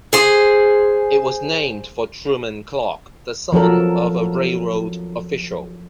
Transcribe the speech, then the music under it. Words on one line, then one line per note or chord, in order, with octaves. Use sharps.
It was named for Truman Clark, the son of a railroad official.
G#4 C5
F3 F#3 A4 A#4